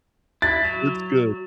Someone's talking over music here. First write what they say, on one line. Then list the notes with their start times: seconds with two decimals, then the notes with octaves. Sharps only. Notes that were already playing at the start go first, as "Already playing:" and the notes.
it's good.
0.42 E4 A6
0.64 F#3